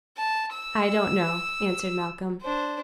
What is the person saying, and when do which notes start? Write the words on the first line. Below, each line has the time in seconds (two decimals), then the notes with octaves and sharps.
"I don't know," answered Malcolm.
0.17 A5
0.52 E6
2.42 D4 C5